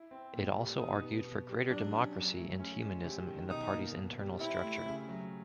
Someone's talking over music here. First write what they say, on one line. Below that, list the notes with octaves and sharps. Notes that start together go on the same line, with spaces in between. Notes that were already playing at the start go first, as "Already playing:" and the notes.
It also argued for greater democracy and humanism in the party's internal structure.
Already playing: E4
C4
A#2
G3
B2 D#4
B3
B2
G3
F#3 D4
C#4
F#3
A3
C#4
G#3
C3
D#3
B2 D#4
A#3
B2
G3
C4 E4
A3
C#3
F#3